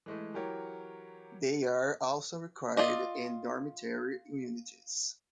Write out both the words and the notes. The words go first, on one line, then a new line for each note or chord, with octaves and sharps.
They are also required in dormitory units.
E3 G#3 A3
E3 F#3 G4 A#4 C#5
F4 D5 D#5